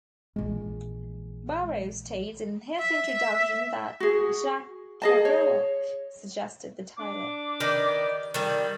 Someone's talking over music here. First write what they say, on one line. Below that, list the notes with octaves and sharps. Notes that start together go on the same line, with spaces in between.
Burroughs states in his introduction that Jack Kerouac suggested the title.
A#1 E3 G#3
E5
F#4 G#4
G#4 D#5 A5
C#5
D4 D6
D#3 G4 B4 D5
D#3 G3 A4